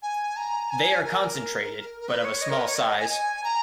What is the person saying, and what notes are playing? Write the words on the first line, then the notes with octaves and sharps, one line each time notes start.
They are concentrated, but of a small size.
G#5
A#5
G#5
A#4
A#4
B4
C#5
D#5
A#4
B4
C#5
D#5
D#5
G#5
G#5
G#5
A#5